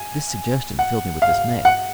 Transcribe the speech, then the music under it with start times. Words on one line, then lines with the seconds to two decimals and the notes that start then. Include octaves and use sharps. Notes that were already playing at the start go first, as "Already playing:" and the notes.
This suggestion filled me with dismay.
Already playing: G#5
0.79 F#5
1.22 F5
1.65 F#5